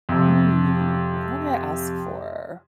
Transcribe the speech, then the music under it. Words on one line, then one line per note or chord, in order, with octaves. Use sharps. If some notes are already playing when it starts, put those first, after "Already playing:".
Hmm, what would I ask for?
F2 C3